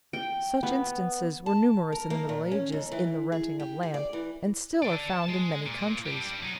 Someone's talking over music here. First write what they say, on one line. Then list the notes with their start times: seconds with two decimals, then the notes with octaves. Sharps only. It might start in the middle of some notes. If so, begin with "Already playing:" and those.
Such instances were numerous in the Middle Ages in the renting of land, and still are found in many countries.
0.13 G5
0.63 B3
1.46 A5
1.92 A#4
2.10 A#3
2.29 A#2
2.51 C#4
2.72 D#2
2.92 E3
3.32 G#4
3.60 G4
3.83 G#4
3.94 D5
4.13 E3
4.82 A4 D5
5.10 A5
5.29 G#3
5.66 A#2
6.06 G3 D4
6.42 F#3 D#4